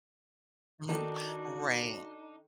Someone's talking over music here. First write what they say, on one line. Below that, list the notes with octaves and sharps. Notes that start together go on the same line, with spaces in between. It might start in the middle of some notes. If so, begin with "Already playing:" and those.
Mhm, right.
D#3 D4 D#4 F#4 A4